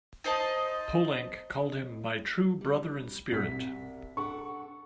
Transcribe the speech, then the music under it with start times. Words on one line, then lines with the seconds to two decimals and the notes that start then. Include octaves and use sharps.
Poulenc called him "my true brother in spirit".
0.24 D#4 C5 D#5 A5
2.61 G3
3.32 C2 B2 B6
4.17 D4 A4 F#5 C#6